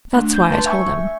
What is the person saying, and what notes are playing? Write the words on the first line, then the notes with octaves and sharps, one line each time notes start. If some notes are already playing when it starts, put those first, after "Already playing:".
That is why I told him...
A3 D4
G6
B4 A5 C6
E5 G#5 C#6